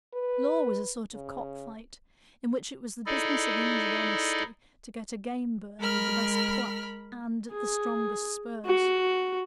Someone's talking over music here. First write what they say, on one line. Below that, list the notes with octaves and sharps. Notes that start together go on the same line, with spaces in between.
Law was a sort of cock-fight, in which it was the business of injured honesty to get a game bird with the best pluck and the strongest spurs.
B4
C#3
D#4 E4 G#4 A4 D5 D#5
G#3 A#4 B5 F6
G#4
F#4